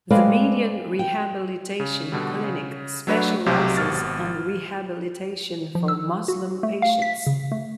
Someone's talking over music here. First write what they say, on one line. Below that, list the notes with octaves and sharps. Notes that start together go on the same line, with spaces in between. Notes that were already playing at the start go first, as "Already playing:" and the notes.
The Median Rehabilitation Clinic specializes on rehabilitation for Muslim patients.
G#3 A3 C4 B4 D5 F5
G5
C#3
B2 D3 G3
C#3
F#3 A3 D4 B4 F#5
B1 C3 F#3 G4 C5 C6
G#1 B2 F6 A6
F3
E6
F#4
A3
F5
B6
C#3
A3